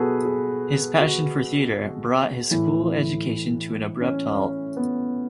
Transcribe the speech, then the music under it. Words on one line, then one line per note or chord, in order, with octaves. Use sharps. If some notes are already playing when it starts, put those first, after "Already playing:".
His passion for theatre brought his school education to an abrupt halt.
Already playing: B2 F#4 G#4 A4 B4
G#4
F#4
A2 E3 E4
C#4
B3